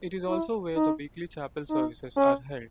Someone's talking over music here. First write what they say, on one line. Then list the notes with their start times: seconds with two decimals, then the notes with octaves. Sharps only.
It is also where the weekly Chapel services are held.
0.28 E4
0.76 D#4
1.70 D#4
2.17 C#4